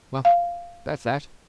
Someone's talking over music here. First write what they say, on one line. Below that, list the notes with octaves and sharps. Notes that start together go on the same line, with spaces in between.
Well, that's that.
F5